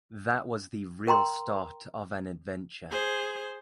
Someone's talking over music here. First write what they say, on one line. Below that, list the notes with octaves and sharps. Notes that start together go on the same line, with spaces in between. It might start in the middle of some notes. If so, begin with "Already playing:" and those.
That was the real start of an adventure.
A#4 G5 A#5 C6
G#4 C5